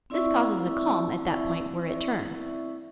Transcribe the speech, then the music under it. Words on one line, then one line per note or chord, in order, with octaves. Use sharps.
This causes a calm at that point where it turns.
C4 E4 D5 E5 C#6 E6